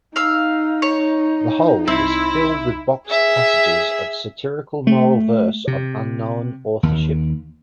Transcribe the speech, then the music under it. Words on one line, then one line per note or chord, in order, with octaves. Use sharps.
The whole is filled with boxed passages of satirical moral verse of unknown authorship.
D#4 F5 E6
C#5
C2 C4 E4
G#4 E5
A3
C3
D#2